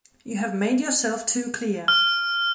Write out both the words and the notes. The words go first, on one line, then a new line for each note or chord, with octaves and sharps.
You have made yourself too clear.
F6